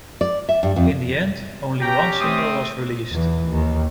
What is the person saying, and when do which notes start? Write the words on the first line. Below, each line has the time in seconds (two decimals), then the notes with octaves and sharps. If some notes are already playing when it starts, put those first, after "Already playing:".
In the end, only one single was released.
0.21 D5
0.49 E5
0.63 G2
0.76 F2
1.81 C#4 G4 G5 A#5
2.21 A3 C4 D#6
3.11 E2 E3
3.48 D#2